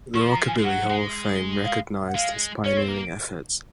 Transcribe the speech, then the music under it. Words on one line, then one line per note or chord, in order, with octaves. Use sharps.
The Rockabilly Hall of Fame recognized his pioneering efforts.
F3 C#6
A#5
G#5
G#3
F#3 F#5
G#3
F5
F#5
G#3 F5
C#4 C#5
C4
A#3